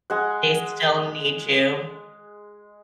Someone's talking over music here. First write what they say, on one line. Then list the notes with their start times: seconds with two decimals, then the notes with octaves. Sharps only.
They still need you.
0.10 G#3 F#5